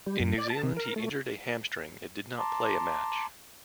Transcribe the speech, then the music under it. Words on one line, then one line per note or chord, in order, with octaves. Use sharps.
In New Zealand he injured a hamstring and did not play a match.
G3
F#2
D5
A5
C3
A#4
A3
A5 A#5 C6 D6